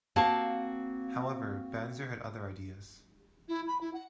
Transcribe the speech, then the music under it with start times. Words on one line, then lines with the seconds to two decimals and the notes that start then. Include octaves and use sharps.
However, Banzer had other ideas.
0.16 A#3 C4 F#4 F5 A5
3.48 E4
3.67 B5
3.81 E4
3.93 F#5